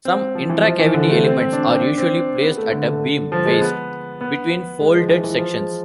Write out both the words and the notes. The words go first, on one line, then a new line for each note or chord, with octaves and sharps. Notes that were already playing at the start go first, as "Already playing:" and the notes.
Some intracavity elements are usually placed at a beam waist between folded sections.
C4
F3
E3
F3
E3
D3
A3
C4
C4
D4
C4
D4
C4
B3
A3
D3
F3
G#3
B3
B3
G#3
F3
E3
E3
F3
G#3